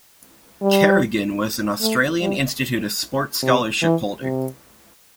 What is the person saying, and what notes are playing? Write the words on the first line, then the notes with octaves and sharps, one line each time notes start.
Carrigan was an Australian Institute of Sport scholarship holder.
G3
A3
G3
C3
E3
C3